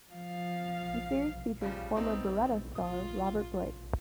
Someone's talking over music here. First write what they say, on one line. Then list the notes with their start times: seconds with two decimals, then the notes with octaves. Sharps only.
The series features former "Baretta" star Robert Blake.
0.11 F3 F5
1.61 C#3 F3 G3
1.96 A3 B3 C4 D#4
2.75 F4 D#6